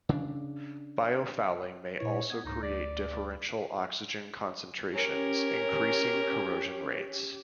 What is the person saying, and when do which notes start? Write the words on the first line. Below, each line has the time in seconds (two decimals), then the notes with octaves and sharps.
Biofouling may also create differential oxygen concentrations increasing corrosion rates.
0.09 C#3 D4
1.99 A#2 E4 B4 C#5
2.30 B3 G#6
2.45 C#2 G#2 D#4
2.63 D2 D5
4.94 C#4 G4 A#4